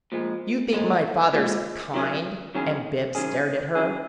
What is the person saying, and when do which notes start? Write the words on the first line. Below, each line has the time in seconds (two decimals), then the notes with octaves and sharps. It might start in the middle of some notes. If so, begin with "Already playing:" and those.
"You think my father's KIND?" And Bibbs stared at her.
0.12 A#2 F3 G#3
0.73 A#2 F3 G#3
1.33 A#2 F3 G#3
1.94 D#3 F#3 C#4 G#4
2.55 D#3 F#3 C#4 G#4
3.15 D#3 F#3 C#4 G#4
3.75 D#3 F#3 C#4 G#4